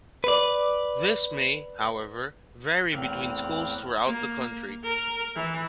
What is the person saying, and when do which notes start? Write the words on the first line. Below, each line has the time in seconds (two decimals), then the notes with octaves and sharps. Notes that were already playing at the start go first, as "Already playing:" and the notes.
This may, however, vary between schools throughout the country.
0.24 B4 D5
2.92 E2 A2 A#3 C4 F6 F#6
4.07 A#3
4.84 A#4
5.36 E3